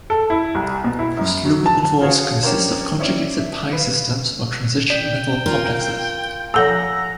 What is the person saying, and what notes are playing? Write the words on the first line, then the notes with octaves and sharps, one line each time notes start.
Most luminophores consist of conjugated pi systems or transition metal complexes.
A4
E4
C2
B2
E4
F#2
F#3
A5
F4 F#4 G#4 C#5 F5
C#4 D4 G4 A#4 C5 C#5
C4 C#4 E4 C#5 D5
E5
B4 F5
D5 G5
F4 A#4
F3 A4 F#5 G#5 A#5 E6